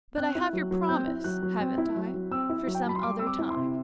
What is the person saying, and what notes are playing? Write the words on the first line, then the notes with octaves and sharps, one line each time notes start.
"But I have your promise--haven't I?--for some other time."
C4 F#6
E4
F#3
F#3
C4 G6
E4
F#3 F#6
F#3
C4
E4
F#3
F#3
C4 E6
E4
F#3
G5
A5
F#3 B5
C6
G3 D6
C4 E6
D6
E4
C6
C3